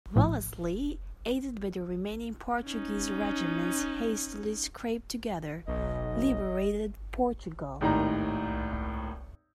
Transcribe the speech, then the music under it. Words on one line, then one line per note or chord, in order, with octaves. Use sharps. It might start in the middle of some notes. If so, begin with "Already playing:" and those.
Wellesley, aided by the remaining Portuguese regiments hastily scraped together, liberated Portugal.
A#1 A2 F3
C#4 D#4
B1 D#5
G#1 D#2 A2 D#4 A#5